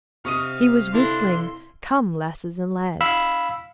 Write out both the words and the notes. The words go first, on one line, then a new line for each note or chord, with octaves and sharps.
He was whistling "Come, Lasses and Lads."
C3 D#5 F5 C#6 D#6 D#7
D4 E4 A4 F5 A#5 C6
F5 B5 E6